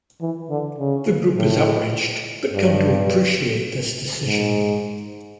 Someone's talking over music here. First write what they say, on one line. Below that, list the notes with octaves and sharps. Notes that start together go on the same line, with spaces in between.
The group is outraged, but come to appreciate this decision.
E3
D3
C#3
A2
G2
G#2